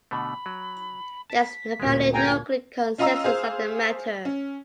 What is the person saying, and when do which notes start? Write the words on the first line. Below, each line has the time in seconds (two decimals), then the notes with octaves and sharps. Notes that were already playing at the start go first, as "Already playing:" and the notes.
There is apparently no clear consensus on the matter.
0.11 B2 D3 A3 B5
0.46 F#3
1.30 A5 B6
1.80 D2 A#2 G#3 G4
2.14 G1 F4 C#5 G5 G#5 A#5 G#6
2.98 C#4 F4 D#5 F5 A#5 E6
3.24 G#4 C5 F5
4.25 C#4